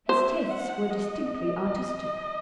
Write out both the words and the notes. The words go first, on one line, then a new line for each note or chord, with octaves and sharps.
His tastes were distinctly artistic.
C5 E5
F#5
D#5